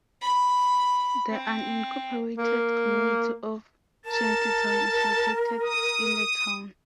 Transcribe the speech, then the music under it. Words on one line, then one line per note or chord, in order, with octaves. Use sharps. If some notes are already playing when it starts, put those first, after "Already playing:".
The unincorporated community of Shantytown is located in the town.
B5
C4
A#3
A#4 A5
D#6